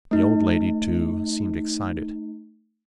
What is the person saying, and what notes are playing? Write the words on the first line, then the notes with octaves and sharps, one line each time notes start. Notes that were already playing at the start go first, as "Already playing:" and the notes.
The old lady, too, seemed excited.
A3 D#4